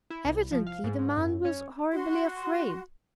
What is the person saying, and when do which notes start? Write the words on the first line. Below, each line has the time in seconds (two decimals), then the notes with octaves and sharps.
Evidently the man was horribly afraid.
0.10 E4
0.25 C2
0.52 F3
0.67 F5
0.84 G#2
0.99 G#2
1.17 F#2
1.45 C#4
1.92 F#4 C6